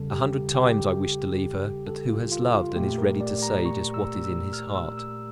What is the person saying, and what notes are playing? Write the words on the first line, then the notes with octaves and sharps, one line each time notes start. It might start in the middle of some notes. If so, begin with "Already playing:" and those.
A hundred times I wished to leave her, but who has loved, and is ready to say just what is in his heart?
Already playing: E2 C#3 G3 A4
G4
G4
A4
F4
F4
F4
A#2 A3 G4
A#4
D5
A#5
C#6
E6
E6
F6
E6
E6